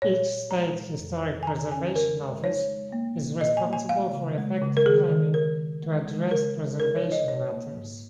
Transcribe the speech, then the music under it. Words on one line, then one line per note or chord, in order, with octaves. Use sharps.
Each State Historic Preservation Office is responsible for effective planning to address preservation matters.
A#2 C#5
A#2
G#3 A#5
A#2
F2
D#3
G#5
D#3 A#5
C#4 G#5
C#3 A#4
G#3
D#4 C#5
G#3
A#3
A#2
A#2 D#5
G#5
A#3
G#5
G#3 F5
C#3
G#3
C#3
A#4
D#3 G#4
D#3
D#3 A#4
D#3
G#3
G#3
C#3 A#4
G#3
D#4 A#4
C#5
D#4
D#5
A#2 C#5
A#3
G#2